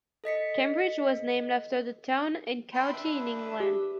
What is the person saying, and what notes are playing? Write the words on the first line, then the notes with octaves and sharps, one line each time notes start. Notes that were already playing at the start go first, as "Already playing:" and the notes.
Cambridge was named after the town and county in England.
A4 D#5 B6 C#7
G5 B5 C6
D4 B4 E5
G4